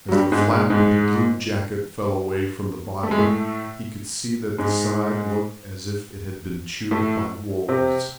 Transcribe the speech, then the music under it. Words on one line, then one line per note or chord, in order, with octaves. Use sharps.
As the flap of the blue jacket fell away from the body, he could see that the side looked as if it had been chewed by wolves.
F#3
G2 G3
G#2 G#3
G#2 G#3
G#2 G#3
A3
G#3
A2 A3
G#2 G#3
A2 A3
C3 C4